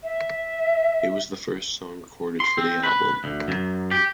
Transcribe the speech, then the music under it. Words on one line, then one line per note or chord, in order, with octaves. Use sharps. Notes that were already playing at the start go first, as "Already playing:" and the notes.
It was the first song recorded for the album.
E5
C6
C4
B4
D2
F#2
G4